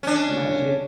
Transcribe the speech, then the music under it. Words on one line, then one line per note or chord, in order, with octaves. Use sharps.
I'm not sure
C#4 D4